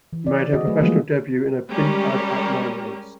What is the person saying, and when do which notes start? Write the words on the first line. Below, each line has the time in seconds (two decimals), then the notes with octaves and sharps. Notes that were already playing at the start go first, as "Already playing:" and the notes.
She made her professional debut in a print ad at nine months.
0.13 E3
0.27 D5
0.53 C4 F#4 G#4 D#5
0.67 F#3 A3 G#4 B4
0.80 E3 F3 G3 G#3 A#3
1.70 G3 G#3 C#4 G4 A#4